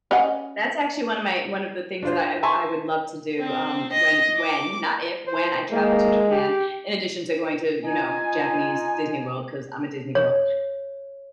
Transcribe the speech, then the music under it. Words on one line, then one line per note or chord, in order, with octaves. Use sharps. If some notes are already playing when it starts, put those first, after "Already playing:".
That's actually one of my one of the things that I I would love to do, um, when when not if, when I travel to Japan, in addition to going to, you know, Japanese Disney World, 'cause I'm a Disney girl,
C#4 D#5 F#5
D4 F4 C5
E5 G#5 A5 C6 C#6
C4
D#5
D6
C5
G#3 A#3
G4
D#4 F4 G#5
C#5